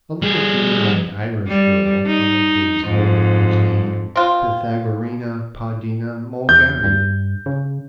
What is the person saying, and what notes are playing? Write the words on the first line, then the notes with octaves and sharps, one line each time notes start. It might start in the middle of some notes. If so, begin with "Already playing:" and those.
A little green-eyed Irish girl, five days old, was named Pythagorina Podina Mulgarry.
G3 G#4
G3
D#4
F2 G#2
C4 F4
E2 G6
G2
C#3